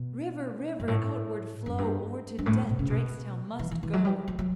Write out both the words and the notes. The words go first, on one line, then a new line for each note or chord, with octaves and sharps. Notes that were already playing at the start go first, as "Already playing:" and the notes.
'River, River, outward flow, Or to death Drakestail must go.'
Already playing: B2
G2
A2
F#2
G2
G2
A2
B2
C#3
B2
E3
E3
E3
F#3
G3
F#3
F#3